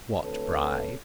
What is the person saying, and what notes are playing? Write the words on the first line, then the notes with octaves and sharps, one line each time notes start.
What bride?
D2 A3 C4 A4 B4 C#5